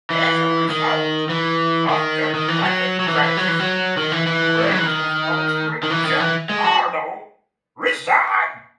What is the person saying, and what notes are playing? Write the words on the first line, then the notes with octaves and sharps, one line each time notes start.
As a result of the budget crisis, Rendell spokesman Chuck Ardo resigned.
E3
D#3
E3
D#3
D#3
E3
F#3
F#3
E3
E3
F#3
E3
F#3
D#3
E3
E3
A3
G#3
F#3
E3
D#3
D#3
E3
D#3
E3
G#3
F#4